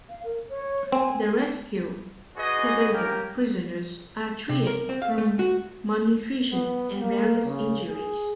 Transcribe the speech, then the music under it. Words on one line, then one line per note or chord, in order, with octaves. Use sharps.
The rescued Tebezza prisoners are treated for malnutrition and various injuries.
F5
A#4
C#5
C4 G#5
F#4 G#4 B4 D5 D#5 G#5
A#3 C#4 G4 A#4
C3
A#4
C4
F5
A3
F#4
B3
A#3
C#3
G#4